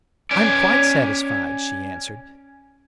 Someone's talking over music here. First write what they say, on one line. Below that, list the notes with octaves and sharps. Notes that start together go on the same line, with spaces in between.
"I'm quite satisfied," she answered.
C#4 D5